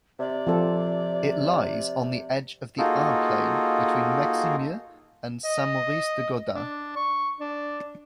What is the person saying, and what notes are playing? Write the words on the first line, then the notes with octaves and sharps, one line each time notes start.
It lies on the edge of the Ain plain between Meximieux and Saint-Maurice-de-Gourdans.
C3 D5
F3 C4 A4
A#3 D#4 F4 F#4 G#4 A4
D#5
D4
C#6
D4